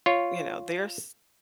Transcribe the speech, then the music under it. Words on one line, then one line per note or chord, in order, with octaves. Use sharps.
you know, their s s
F4 C#5